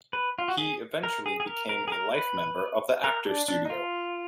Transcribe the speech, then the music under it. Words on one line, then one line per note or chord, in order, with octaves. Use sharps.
He eventually became a life member of The Actors Studio.
B4
F4
F#4
G#4
A#4
G#4
G#4
A#4
A#4
G#4
A#4
B4
A#4
D4
D4
D#4
F4